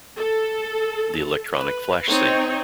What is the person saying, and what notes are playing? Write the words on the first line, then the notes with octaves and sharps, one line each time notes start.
The electronic flash sync.
A4
B4
C4 D#4 C#5